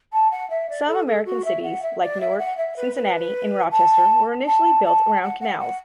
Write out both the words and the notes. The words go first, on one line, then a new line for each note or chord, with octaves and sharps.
Some American cities, like Newark, Cincinnati and Rochester, were initially built around canals.
A5
F#5
E5
D5
A4
A4
F#4
E5
F#5
E5
D5
E5
F#5
E5
B4
B4
A5
A5
A5
F#5
F#5
F#5